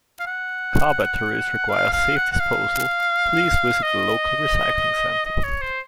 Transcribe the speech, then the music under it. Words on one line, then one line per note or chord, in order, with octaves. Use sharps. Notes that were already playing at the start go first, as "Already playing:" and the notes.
Car batteries require safe disposal, please visit the local recycling center.
F5
F#5
F5
F5
F#5
F#5
F5
D#5
D#5
C#5
C5